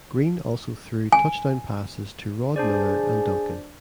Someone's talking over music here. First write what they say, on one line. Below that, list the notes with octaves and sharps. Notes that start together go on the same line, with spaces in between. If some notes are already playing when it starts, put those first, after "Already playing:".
Green also threw touchdown passes to Rod Miller and Duncan.
G#5
D4 G#4 C5 D5